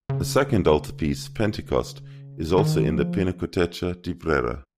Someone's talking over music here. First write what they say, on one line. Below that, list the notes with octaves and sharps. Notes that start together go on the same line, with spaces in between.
A second altarpiece, "Pentecost", is also in the Pinacoteca di Brera.
C#3
F3
D#3
F3